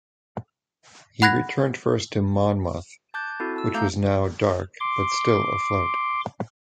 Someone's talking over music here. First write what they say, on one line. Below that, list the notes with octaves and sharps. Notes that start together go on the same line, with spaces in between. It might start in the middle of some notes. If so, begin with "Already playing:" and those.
He returned first to "Monmouth", which was now dark but still afloat.
F#5 B5 F#6 G#6 A#6
A5 D6 F#6 G6 A6
C4 E4 F#4 A4
A5 E6
A3 F5 A#5 G6
C6 D6